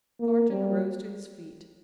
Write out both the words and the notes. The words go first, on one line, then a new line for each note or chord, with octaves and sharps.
Thornton rose to his feet.
A#3
G3